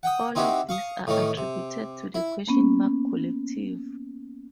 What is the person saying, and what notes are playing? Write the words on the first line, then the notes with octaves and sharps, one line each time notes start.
All of these are attributed to the "Question Mark Collective".
F#5 G5 D#6
C4 D#4 E4 F#4 G4
F5 C#6 D#6
A2 D#3 E3 A3 C#4
C3
E4
A#3 B3 C#4